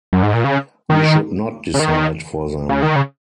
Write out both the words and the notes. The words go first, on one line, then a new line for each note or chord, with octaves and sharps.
We should not decide for them.
F#2
G#2
A#2
C#3
D#3
C#3
D#3
C#3
D#3
C#3